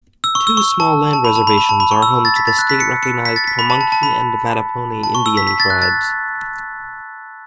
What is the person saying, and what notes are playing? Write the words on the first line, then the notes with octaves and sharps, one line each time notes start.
Two small land reservations are home to the state-recognized Pamunkey and Mattaponi Indian tribes.
E6
C#6
E6
C#6
A5
A5
B5
A5
B5
B5
A5
B5
C#6
E6
A6
B6
A6
F#6
B6
C#7
C#7
B6
A6
B6
B5
A5
A5
A5
B5
A5
C#6
E6
B6
B6
A6
F#6
A6